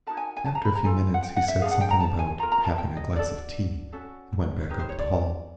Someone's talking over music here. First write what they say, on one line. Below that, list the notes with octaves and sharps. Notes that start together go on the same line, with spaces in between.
After a few minutes he said something about having a glass of tea and went back up the hall.
D#4 F#4 A#4 A5
G#5
G#5
A5
A#5
B5
A#5
F4 A4 G#5
F#5
G5
F#5
E5
D4 F4 G#4 F5
F#5
G5
A#5
A5
G#5
F4 A#4 A#5
A#5
A5
G5
D#5
D4 F#4 A4 D5
C#4 F#4 A4
D#4 G4 B4
C5
C#5
D5